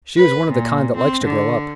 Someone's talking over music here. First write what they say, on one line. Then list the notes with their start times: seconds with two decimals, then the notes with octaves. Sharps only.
She was one of the kind that likes to grow up.
0.17 B4
0.51 A#2
0.97 C4
1.25 D3